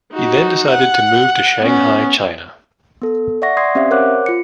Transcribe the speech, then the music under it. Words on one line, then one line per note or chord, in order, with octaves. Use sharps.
He then decided to move to Shanghai, China.
D#4 F#4
F#5
B3 C#4
B3 A4
D5 E5 F#5 C#6 A#6
D5 C6 D#6 G#6 C7
C4 C#4 G4 C5 E5 F5
A#4 C5 C#5 F#5 D6 F#6
F4 C#7